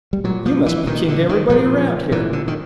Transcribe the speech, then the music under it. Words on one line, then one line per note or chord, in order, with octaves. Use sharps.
"You must be kin to everybody around here?"
G3
A#2 F#3
F3
E3
A#2 D#3
D3
D#3
A#2 F3
A#2 E3
D3
D#3